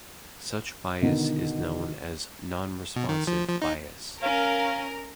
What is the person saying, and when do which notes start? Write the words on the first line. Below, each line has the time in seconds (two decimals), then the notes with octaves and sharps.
Such bias is known as nonresponse bias.
1.02 B2 D3 D#3
2.96 B2
3.09 D#3
3.27 F3
3.48 F3
3.62 D#4
4.22 C#4 A#4 F5